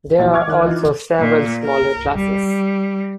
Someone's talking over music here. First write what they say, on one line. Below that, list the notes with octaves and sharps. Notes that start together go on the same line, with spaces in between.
There are also several smaller classes.
A#1 E3 F#3
C#6 D6 F6 G#6
D#3 F#6
E3 D#4 F4
A#2
A#4
G3